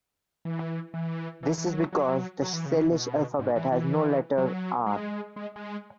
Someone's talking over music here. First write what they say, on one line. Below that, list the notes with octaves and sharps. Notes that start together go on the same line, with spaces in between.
This is because the Salish alphabet has no letter "r".
E3
E3
E3
E3
F#3
F#3
F#3
E3
C#3
E3
B2
G#2
E3
E3
F#3
G#3
G#3
G#3